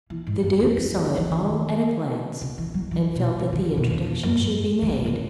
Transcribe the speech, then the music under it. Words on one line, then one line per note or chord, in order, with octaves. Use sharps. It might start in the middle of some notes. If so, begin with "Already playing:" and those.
The Duke saw it all at a glance, and felt that the introduction should be made.
E3
G#2
F#2
E2
E2
D#3
E3
D#3
C#3
E3
F#3
E3
B2
C#3
D#3
C#3
B2
E2
E2
F#2
G#2
D#3
C#3
C#3